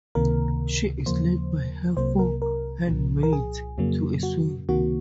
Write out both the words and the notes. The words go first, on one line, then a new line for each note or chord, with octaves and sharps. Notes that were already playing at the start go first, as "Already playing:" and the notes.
She is led by her four handmaids to a swing.
C#2 C3 D#3 A#3 A#4
D#2 C#3 F3 A#3 C5
C2 C3 F#3 A#3 C5
A#4
A#4
C2 A#2 F3
A#4
G#4
F2 C#3 F#3 A#3
F#4
C#2 C3 D#3 A#3 F#4